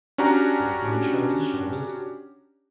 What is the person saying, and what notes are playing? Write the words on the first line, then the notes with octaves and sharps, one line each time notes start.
Gascoyne shrugged his shoulders.
C#4 D4 F#4 G4 A#5